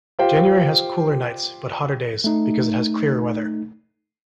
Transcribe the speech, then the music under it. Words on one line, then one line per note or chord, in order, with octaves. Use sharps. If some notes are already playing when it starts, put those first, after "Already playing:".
January has cooler nights but hotter days because it has clearer weather.
F4 G4 C5 F5 G5
A3 D#4